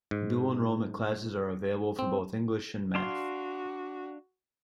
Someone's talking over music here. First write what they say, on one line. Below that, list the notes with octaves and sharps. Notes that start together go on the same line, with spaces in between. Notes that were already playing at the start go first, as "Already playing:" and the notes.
Dual Enrollment classes are available for both English and Math.
G#2
C4
D4 F#4 F5 C6